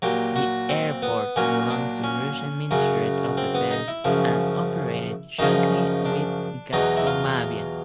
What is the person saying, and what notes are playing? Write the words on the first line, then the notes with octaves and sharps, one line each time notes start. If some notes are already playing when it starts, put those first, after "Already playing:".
The airport belongs to Russian Ministry of defence and operated jointly with Gazpromavia.
A#2 F#3 G4
F#4
C4
B3
A#2 F#3 C#4
D4
C#4
F#2 C#3 F#3
C4
B3
D#4
E4
F#2 C#3 F3
F#2 C#3 F3 D#4
D4
E2 B2 F#3 D#4
E4
F4